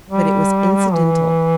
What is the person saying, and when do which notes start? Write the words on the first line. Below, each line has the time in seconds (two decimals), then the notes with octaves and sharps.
But it was incidental.
0.10 G3
0.94 E3